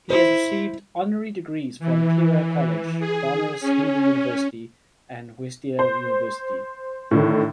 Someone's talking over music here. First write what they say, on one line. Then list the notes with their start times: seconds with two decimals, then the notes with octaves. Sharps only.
He has received honorary degrees from Keiwa College, Banaras Hindu University, and Waseda University.
0.10 E4 C5
1.79 E3
2.99 G#4
3.60 C#4
5.79 C5
7.11 A2 D3 D#3